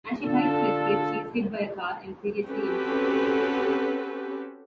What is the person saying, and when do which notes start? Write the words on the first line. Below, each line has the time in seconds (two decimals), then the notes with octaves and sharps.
As she tries to escape, she is hit by a car and seriously injured.
0.23 D3 D4 F4 A4
2.46 C4 C#4 F#4 G4 A4 B4